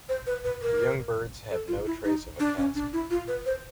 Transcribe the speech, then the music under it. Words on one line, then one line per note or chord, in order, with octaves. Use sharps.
The young birds have no trace of a casque.
C5
B4
B4
A#4
A4
F4
E4
D#4
D4
C#4
D4
E4
F4
B4
C5